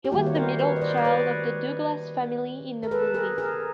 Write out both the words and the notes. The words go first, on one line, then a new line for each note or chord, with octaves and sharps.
He was the middle child of the Douglas family in the movies.
G4
D#3 G3 A#3 E4 F#4
C#5
A#4 C5
B4 C#5
D#5
C5 D5
D#5
D5
B4 C#5
A#4
A4 B4
G#4 A#4
G#4 A#4